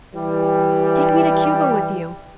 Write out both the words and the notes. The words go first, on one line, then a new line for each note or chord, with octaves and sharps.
Take me to Cuba with you!
E3 G3